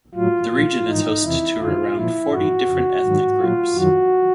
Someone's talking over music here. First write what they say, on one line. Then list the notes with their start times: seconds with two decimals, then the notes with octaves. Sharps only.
The region is host to around forty different ethnic groups.
0.15 A2 F#3 F4
0.51 A#2 F3
0.87 G#2 E3 D#4
1.23 E2 C3 E3 E4
1.59 F#2 D3 F#3 F4
1.95 A#2 F3 E4
2.31 G2 E3 F#4
2.68 F2 C#3 F3
3.03 G#2 D#3 F#3
3.39 A#2 F#3 F4
3.75 F#2 D#3 F#3 F#4